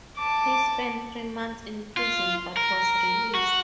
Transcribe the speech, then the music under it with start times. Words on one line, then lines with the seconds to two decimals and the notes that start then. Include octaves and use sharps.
He spent three months in prison, but was released.
0.18 A5 D6
1.97 F4
2.57 A#4
3.35 F#4